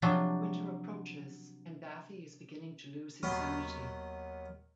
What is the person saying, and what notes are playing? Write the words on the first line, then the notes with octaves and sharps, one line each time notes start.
Winter approaches, and Daffy is beginning to lose his sanity.
C3 F3 F#3 D4
D#2 F#3 B3 F5 C6